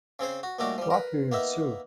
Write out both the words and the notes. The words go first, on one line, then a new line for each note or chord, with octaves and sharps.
What will ensue?
C#3 C4 G#4 C5
F#4
D#2 A#2 G3 A3 F#4 D6
F3 G3
A#4 B4
A#3 B3 D#4 E5